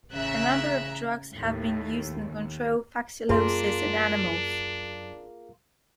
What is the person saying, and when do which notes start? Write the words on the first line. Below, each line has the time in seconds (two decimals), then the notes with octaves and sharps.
A number of drugs have been used in control fasciolosis in animals.
0.12 A1 C#3 E5 A#5 F#6
1.34 D#2 A2
2.29 D#2
3.29 F#2 A#3 D4 F4 G#4 C6